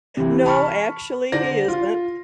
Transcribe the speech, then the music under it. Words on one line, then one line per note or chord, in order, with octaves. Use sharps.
No, actually, he isn't.
C3 E3
A5 B5 C#6 F6
D3 C5 D5 A#6
F4